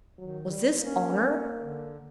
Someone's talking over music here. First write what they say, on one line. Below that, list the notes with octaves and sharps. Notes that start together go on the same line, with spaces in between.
Was this honor?
D#3 F#3
G3
A#3 C#4
D3